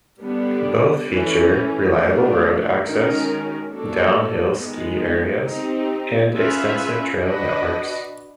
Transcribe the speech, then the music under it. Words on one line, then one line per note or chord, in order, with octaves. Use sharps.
Both feature reliable road access, downhill ski areas, and extensive trail networks.
D3 G3 B3 D4
E3 A3 C#4
A3 D4 F4
D#3 G#3 C#4 F#4 A#4
A#3 D4 F#4 A4
D#3 G#3 B3
C4 D#4 G4
C#4 F4 G#4 B4 E5
D4 F#4 B4 D#5